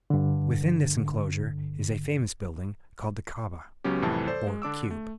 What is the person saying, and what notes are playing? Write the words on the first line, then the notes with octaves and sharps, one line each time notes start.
Within this enclosure is a famous building called the "Ka'a-ba," or cube.
G2 D3
C#2 F#3 B3 C#4 G4
C2 F2 A2 C3 E3 A5
A4 C5 D5
G#3
D3 D4 D6 E6
A3